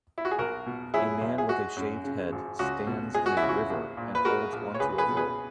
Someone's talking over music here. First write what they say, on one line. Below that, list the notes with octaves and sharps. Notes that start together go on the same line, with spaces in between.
A man with a shaved head stands in a river and holds onto a rope.
E4
F#4
G#4
B1 F#4 A#4
B2
F#3 E4 G#4
B1
G#4
G#3 F#4
F#2
C#3
G#1
C#2 F#4
B2
G#3 G#4
F#4
E4
C#2
F#4
A#1
A#2
B4
G#3 F#4 A#4
A#1
C#5
C#2 G#4 B4
G#4 B4
B2
G#4 B4